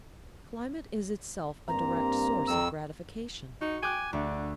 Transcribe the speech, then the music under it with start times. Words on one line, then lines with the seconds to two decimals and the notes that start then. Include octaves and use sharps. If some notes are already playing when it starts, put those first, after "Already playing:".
Climate is itself a direct source of gratification.
1.68 G2 A#3 C4 A#5
2.48 F2 E6
3.61 D#4 F#4
3.83 G5 G#5 D6 F#6
4.13 D2 D3